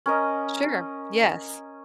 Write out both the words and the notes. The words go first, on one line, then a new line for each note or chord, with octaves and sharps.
Sure. Yes.
C#4 A#4 D#5